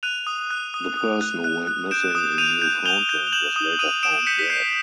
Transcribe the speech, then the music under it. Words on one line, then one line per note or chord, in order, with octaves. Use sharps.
The person who went missing in Newfoundland was later found dead.
F#6 D#7 F7
D#6
F#6
D#6
D#6
F#6
F#6
F#6
G6 D7 E7
D#6
G6 D#7 F7
G6
G6 F7 G7
G6
F7
G6 E7 F#7
D#6
D#6 D#7 F7
D#6 D7 E7
G6 B6 C#7
B6
G6 C7